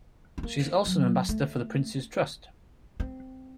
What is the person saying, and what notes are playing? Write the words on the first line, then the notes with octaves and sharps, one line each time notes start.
She is also an ambassador for The Prince's Trust.
C4
A#3
F#3
A3
C4